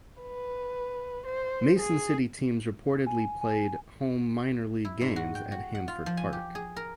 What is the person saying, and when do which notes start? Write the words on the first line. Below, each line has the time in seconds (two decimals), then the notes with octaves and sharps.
Mason City teams reportedly played home minor league games at Hanford Park.
0.22 B4
1.26 C5
1.78 G#4
3.06 G#5
3.41 G#5
4.85 E4
5.01 G#2
5.16 F#4
5.35 G5
5.52 F#4
5.75 F#5
5.88 F4
6.06 F3
6.17 G#5
6.33 G4
6.55 G#4
6.76 A#4